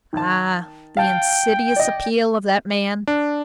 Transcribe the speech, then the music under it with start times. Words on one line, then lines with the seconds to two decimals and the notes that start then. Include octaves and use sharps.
Ah, the insidious appeal of that man!
0.13 D#3 A5
0.97 F5 G5 A5
1.76 D5 D#5
3.07 D4